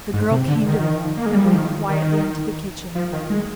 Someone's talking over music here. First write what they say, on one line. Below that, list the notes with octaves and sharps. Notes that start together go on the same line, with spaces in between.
The girl came to the mill and went quietly into the kitchen.
G#2
C3
D3
D#3
A#3
G#3
G3
F3
D#3
D#3
F3
D#3
G#3